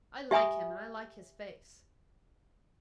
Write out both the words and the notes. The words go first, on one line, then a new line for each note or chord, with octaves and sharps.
"I like him, and I like his face."
G4 E5 G#5 B5 D#6